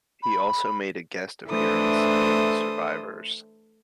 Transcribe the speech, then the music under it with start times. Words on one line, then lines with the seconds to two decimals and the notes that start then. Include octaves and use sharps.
He also made a guest appearance in "Survivors".
0.22 B5
1.47 E3 A3 D4 A4 C5 D#6